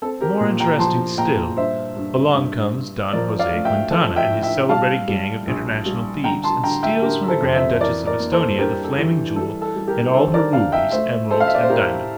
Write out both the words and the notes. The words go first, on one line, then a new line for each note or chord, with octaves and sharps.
More interesting still--along comes Don Jose Quintana and his celebrated gang of international thieves, and steals from the Grand Duchess of Esthonia the Flaming Jewel and all her rubies, emeralds and diamonds.
C4 A4
G4 A#4
A#2
G5 A#5
F3 A5 C6
A#2 G5 A#5
G2 C5 E5
G2
G2
G2
F3 A#4 D5
D5 F5
A3
E5 G5
F3 A4 C5
E5 G5
A2
E5 G5
G3 F5 A5
G3
A#1
G3
D3 G5 A#5
A5 C6
D3 G5 A#5
E5 G5
D3 G4 A#4
A4 C5
F2
C5 E5
E3 A#4 D5
A#4 D5
A#3
A4 C5
G2 G4 A#4
A4
E3
G3 A4
A4
G3
G4 A#4
D3 A4 C5
A#4 D5
D3 D5 F5
E5 G5
A3 C5 E5
A3 A4 C5
F5
E5
D5
C5
A2 G4 A#4